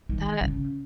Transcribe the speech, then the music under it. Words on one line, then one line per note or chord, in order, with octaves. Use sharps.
That it
D#3
C#3